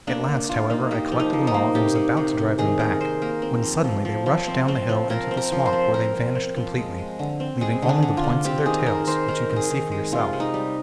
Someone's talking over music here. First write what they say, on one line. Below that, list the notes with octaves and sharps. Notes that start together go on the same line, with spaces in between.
At last, however, I collected them all and was about to drive them back, when suddenly they rushed down the hill into the swamp, where they vanished completely, leaving only the points of their tails, which you can see for yourself.'
A#3 D4
A#3
A#3 F4
A#3 D#4
A#3 G4
F3
D#4
F3
D#4
A#3
C3 G4
C3
C3
C3
D#3 G#4
C3 A#4
C3 C5
A#3 A#4
C4
F3
F3
F3
F3
C4
C4
F3
F3 A#4
C4
A#4
F3
C5
C4
F3 A#4
C4
C4
F3
G#3
G#3
D3
C4
G#3 G#4
D3
D4
D3
F4
D3
C4 G4
D#3 G#4
C4 A#4
D#3 C5
D#3 A#4
C4
G#4
D#3
G#3
C3 F4
C3
D#4
G3